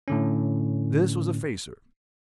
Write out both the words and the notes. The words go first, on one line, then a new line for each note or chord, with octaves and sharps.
This was a facer.
A2 D3 C#4